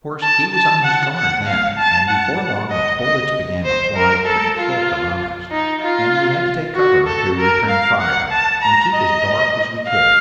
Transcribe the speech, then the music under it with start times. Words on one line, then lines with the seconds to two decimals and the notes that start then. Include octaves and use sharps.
Of course he was on his guard then, and before long the bullets began to fly pretty thick among us, and we had to take cover to return fire and keep as dark as we could.
0.22 A5
0.52 A5
0.84 F#5
1.15 F#5
1.46 F5
1.77 A5
2.09 F#5
2.71 D#5
3.02 D#5
3.64 C5
3.95 A#4
4.26 A4
4.57 F4
5.51 D#4
5.82 F4
6.76 F#4
7.07 A4
7.38 A#4
7.69 F5
8.00 F#5
8.31 A5
8.62 A#5
8.93 D#5
9.87 F5